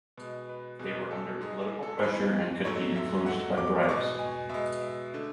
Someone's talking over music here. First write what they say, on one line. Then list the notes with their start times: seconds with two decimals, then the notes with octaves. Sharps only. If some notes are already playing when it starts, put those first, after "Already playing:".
They were under political pressure and could be influenced by bribes.
0.18 B2 G#3
0.49 B4
0.79 E2 B2 G#3 G#4
1.11 A4
1.41 G#2 G#3 G#4
1.61 G#4
1.83 A4
2.03 G#2 E3 G#3 B4
2.64 G#2 F#3 A3 C#5
2.96 E5
3.26 G#2 F#3 A3 F#5
3.57 D6
3.83 D6
3.89 B2 G#3 C#6
4.19 G#5
4.49 B2 G#3 E5
4.82 E5
5.14 D3 A3